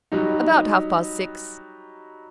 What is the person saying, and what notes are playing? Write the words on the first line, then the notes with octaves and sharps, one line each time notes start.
"About half-past six."
F#3 G3 D#4